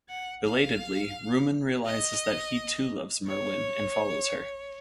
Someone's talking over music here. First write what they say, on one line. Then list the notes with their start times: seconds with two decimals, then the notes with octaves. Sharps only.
Belatedly, Rumon realises that he too loves Merewyn, and follows her.
0.10 F#5
0.45 F5
1.86 D#5
3.27 C#5